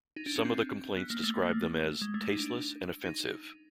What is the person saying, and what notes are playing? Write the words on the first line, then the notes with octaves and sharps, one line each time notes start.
Some of the complaints described them as "tasteless and offensive".
D#4
D4
C#4
C4
B3
A#3
A3
A3
A#3
A3
G#3
A3
D#4
D4
D#4